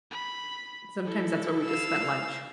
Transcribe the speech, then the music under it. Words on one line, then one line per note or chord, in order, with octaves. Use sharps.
Sometimes that's where we just spent lunch.
B5
E4 A4
F5 E6